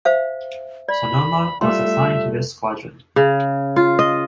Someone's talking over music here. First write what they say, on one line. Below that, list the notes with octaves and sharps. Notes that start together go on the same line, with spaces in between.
"Sonoma" was assigned to this squadron.
C5 E5 F5
D5 B5
G3 A3 F4 E5 C6
C#3
F4
D#5